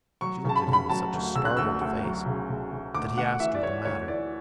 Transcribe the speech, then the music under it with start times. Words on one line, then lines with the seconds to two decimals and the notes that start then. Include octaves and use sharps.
She looked at him with such a startled face that he asked her the matter.
0.21 F#3 C#6
0.44 C#3 A5
0.56 B5
0.67 C#3
0.73 B5
0.89 F#3 A5
1.13 D2
1.35 C#3 E6
1.45 F#6
1.57 D2 E6
1.81 D2
2.04 F#3
2.26 C#3
2.49 C#3
2.72 C#3
2.94 D2 D6
3.17 D2 F#5
3.39 E3 E5
3.55 D5
3.63 E3 C#5
3.85 D2 C#5
4.08 E3 D5